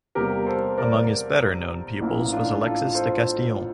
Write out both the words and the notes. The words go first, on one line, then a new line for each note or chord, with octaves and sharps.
Among his better known pupils was Alexis de Castillon.
E2 C3 G3 A#3 G4 A#4
A4 C5
A#4 D5
A1 A2 F3 A#3 E4
D4 F4
F4 A4
A4 C5